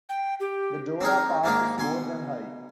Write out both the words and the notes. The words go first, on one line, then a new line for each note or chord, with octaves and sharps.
The Dorah Pass is more than high.
G5
G4
C4 D4 D#4 G#4 A#4
G#2 D#3 A#3 D4 G#4
B2 G#5 C6